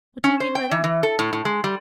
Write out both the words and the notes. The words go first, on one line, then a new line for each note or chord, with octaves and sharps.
"What do you mean by that?"
C#4
C5
G5
E3
E3
A4
A2
A2
G#3
G3